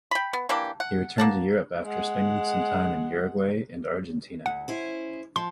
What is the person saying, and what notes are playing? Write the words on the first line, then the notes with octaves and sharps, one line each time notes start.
He returned to Europe after spending some time in Uruguay and Argentina.
G5 B5
B3
E3 A#3 D4 G4
F#5
A#3 F#5 A5
G#3 F#5
D2 F#5
C#4 E4 C5
F3 C6